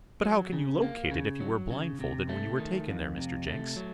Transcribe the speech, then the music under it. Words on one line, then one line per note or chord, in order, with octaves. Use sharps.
"But how can you locate it, if you were blindfolded when you were taken there, Mr. Jenks?"
F#3
C#3
A#3
C#3
F#3
C#3
C3
A3
D#3
F2
C3
A3
F#3